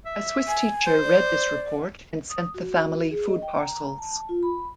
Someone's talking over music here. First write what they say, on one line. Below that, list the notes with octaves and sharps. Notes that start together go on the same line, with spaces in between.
A Swiss teacher read this report and sent the family food parcels.
E5
G#5
C5
D5
D#6
F#4
G#4
D#5
G5
A#5
A5
F4
B5